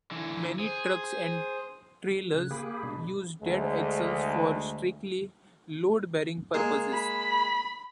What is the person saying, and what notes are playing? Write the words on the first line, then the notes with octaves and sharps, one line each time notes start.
Many trucks and trailers use dead axles for strictly load-bearing purposes.
D3 E3
G#4 C5
C#3 F#6
A#3 G4 G#4 B5
B2 G#3 D4
D2 G#3
G#3 A#3
B5